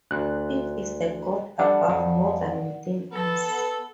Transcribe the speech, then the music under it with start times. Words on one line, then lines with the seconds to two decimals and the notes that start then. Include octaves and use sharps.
It is the God above, more than within, us.
0.11 D2 F#6
1.59 G3 D4 A4 D5 F#5
1.89 F2
3.12 B3 A4